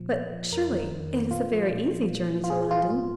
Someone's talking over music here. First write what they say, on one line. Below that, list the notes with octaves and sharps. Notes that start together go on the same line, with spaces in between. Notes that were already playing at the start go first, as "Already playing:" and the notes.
But surely, it is a very easy journey to London.'
Already playing: A#2 F3
A#2
F3
F2 A#4
D#3
F2
D#3
A#2 F4
F3
A#2
F3
A#2
F3
F4
A#2 G#4
F3 F4
G#2 F4